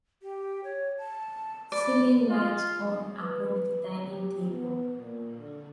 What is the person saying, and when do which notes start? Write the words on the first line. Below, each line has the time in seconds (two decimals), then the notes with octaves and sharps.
Ceiling light on above the dining table.
0.23 G4
0.64 C#5
0.98 A5
1.72 D5 B5
2.27 F4
3.22 B4
4.08 G4
4.51 B3
4.97 A#2
5.38 D3